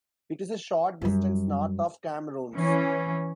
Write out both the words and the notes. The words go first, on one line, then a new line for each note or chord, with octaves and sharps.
It is a short distance north of Camarones.
F#2 G3
E3 C#4